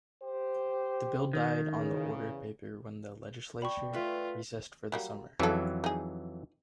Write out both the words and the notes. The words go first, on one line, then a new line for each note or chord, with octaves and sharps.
The bill died on the order paper when the legislature recessed for the summer.
G4 C5
D#3
E2 C#3
D5 G5 B5 C#6
A3 F4 B4
F#3 G3 A#3
F2 C#3 E3 F#3 A4
D#4 G#4